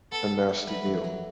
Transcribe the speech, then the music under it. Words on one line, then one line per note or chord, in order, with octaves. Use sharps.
a nasty meal.
B3 A4
B3
A3
F#3 B4
E3
F#3